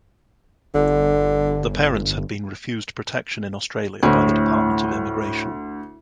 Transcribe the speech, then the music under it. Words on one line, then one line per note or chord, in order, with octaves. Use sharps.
The parents had been refused protection in Australia by the Department of Immigration.
G1 D3
D2 A2